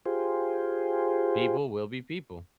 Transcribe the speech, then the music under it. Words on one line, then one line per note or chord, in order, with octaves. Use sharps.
People will be people."
F4 G4 G#4 C5